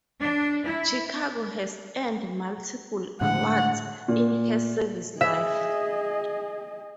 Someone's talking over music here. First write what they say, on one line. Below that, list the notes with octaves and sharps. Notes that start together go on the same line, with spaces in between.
"Chicago" has earned multiple awards in her service life.
D4
E4
A2 D3 G#3 F#5
A#2
G#4 D#5 E5